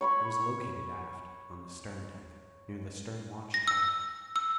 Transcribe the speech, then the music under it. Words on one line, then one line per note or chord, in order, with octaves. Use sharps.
It was located aft, on the stern deck, near the stern watch tower.
C#5 B5 C#6
A#6
E6
E6